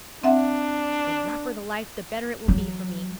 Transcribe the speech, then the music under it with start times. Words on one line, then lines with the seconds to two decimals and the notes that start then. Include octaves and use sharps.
The rougher the life, the better it will be for me.
0.24 C4 D4 E5 F#5
2.48 F#3